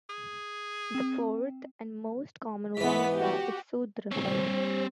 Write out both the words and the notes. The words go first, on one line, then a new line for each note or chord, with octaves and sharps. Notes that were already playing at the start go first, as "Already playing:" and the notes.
The fourth and most common wangsa is "Sudra".
G#4
C4
G#2 E3 B3 B4 B6
F#4 G4
C4 C#5
G3 C5